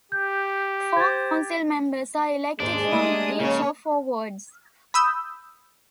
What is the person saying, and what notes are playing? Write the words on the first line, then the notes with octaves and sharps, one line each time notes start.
Four council members are elected from each of four wards.
G4 G6
C5 G#6 A6
D#2 G#2 G#3 D4 C5
G3 A3 A#3 D#6
C#3 F3 A#3 C#4 C#5
B5 D#6 E6 G6